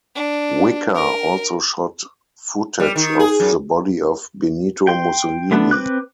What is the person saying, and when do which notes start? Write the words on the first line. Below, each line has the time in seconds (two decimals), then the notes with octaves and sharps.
Whicker also shot footage of the body of Benito Mussolini.
0.15 D4
0.95 A#4
2.80 G3
2.96 D#3
3.19 G#4
3.40 F#2
4.87 G5 C6
5.51 D3 A3 B3 D4
5.71 C4 B4 D6 F#6